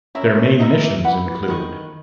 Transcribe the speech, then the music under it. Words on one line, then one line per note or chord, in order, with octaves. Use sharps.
Their main missions include.
C#4 E4 A#4 E5
C#4
D#4 E4 A#4 E5
E3
E3 B4 F#5 B5
E3
D#3 B4 D#5 A#5 C#6